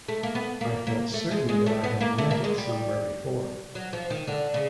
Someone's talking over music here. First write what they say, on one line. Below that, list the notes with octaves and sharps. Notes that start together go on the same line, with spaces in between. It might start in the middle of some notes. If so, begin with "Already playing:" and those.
I felt certain that I had met it somewhere before.
A3
A#3
B3
A#3
A#3
A3
G#3
G#3
A3
B3
A#3
A3
A#3
G#3
G3
F#3
F3
D#3
D3
C#3